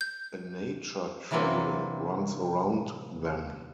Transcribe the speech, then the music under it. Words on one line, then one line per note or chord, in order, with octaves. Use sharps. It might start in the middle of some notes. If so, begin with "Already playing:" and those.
A nature trail runs around them.
G6
C3 E3 F#3 A#3 C4 D4